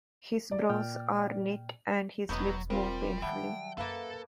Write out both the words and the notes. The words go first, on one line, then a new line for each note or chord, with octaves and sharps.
His brows are knit and his lips move painfully.
D5
A#2 G5 F6
E1 A2 F#3 B3 D#5 G6
G3 C4 F4 A#4
D#3 F#3 G3 E5 F#5 G5 A5
F#2 A#3 A4 B4 F5